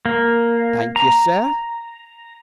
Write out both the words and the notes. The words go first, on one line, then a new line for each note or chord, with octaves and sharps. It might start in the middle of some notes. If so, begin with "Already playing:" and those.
"Thank you, sir."
A#3
A#5